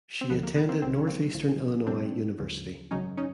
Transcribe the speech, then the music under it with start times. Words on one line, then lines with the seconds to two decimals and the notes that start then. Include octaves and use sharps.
She attended Northeastern Illinois University.
0.21 C4
0.30 D2 D3 F3 B3
0.43 A#3
0.56 B3
0.69 A#3 C4
0.82 B1 A#2 F#3 C4
0.94 C#4
1.07 A#3 C4
1.34 A#1 A2 F3
1.87 E2 B2 G3 C4 D4
2.39 D2 C#3 F3
2.91 G#1 F#2 C#3 F#3 C#4 D#4
3.17 C#4 D#4